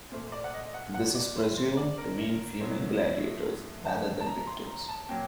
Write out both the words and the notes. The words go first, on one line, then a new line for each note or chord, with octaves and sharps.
This is presumed to mean female gladiators, rather than victims.
A#2 A3 C5
C5
D5
F#5
D#5
F#5
F#5
D5
C5
C5
D5
A#4
A2 F#3 A3 C5
A5
A5
A#5
C6
A#5
A5
A#2 F#3 A#3 G5